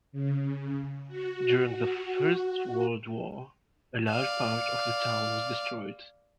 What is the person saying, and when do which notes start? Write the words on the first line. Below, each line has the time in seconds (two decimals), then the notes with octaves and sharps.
During the First World War a large part of the town was destroyed.
0.12 C#3
1.07 F#4
1.66 F#4
4.10 D5 F5